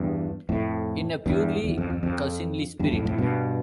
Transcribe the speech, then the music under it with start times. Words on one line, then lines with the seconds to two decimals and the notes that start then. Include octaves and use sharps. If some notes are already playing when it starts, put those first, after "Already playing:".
In a purely cousinly spirit.
Already playing: E2 G2
0.49 F2 A2
1.26 E2 G2
1.64 E2
1.78 F2
1.90 F2
2.03 F2
2.79 E2 G2
2.92 F2 A2
3.05 F2 A2
3.18 G2 B2